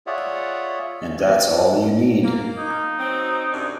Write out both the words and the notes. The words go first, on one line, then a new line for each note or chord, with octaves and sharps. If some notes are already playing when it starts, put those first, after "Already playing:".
And that's all you need.
F4 G#4 C#5 D5 E5 F#5
A#3
D#4
F#3 C4
F#2 C3 D4